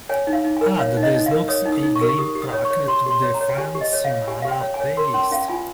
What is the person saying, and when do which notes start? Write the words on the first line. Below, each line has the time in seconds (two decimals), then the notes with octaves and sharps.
Add the snooks eaglin track to the friendesemana playlist.
0.09 C#5 G#5
0.27 D#4
0.33 F5
0.45 D#4
0.57 G#5
0.61 A#4
0.79 C#5 F5
0.97 D#4
1.03 D#5
1.15 D#4
1.26 F5
1.31 A#4
1.49 C#5 D#6
1.66 D#4
1.72 D#6
1.83 D#4
1.96 C#6
2.01 A#4
2.09 C#6
2.18 G4 D#6
2.35 G4
2.42 D#6
2.53 C#5
2.65 C#6
2.70 C#5
2.87 G4 C6
3.06 G4 C6
3.22 C#5
3.34 A#5
3.41 C#5
3.57 G4 G#5
3.75 G4
3.81 D#5
3.93 C#5
4.05 F5
4.09 C#5
4.28 G4 G#5
4.42 G4 F5
4.51 G5
4.62 C#5
4.74 G#5
4.80 C#5
4.97 A#4 C6
5.14 C#4 C6
5.31 C#4 F5
5.49 F4 G#5